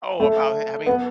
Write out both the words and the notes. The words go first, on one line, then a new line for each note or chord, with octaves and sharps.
Oh, about h having
A3
B3